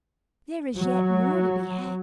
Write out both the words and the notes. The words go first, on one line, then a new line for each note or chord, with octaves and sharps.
"There is yet more to be had!"
F#3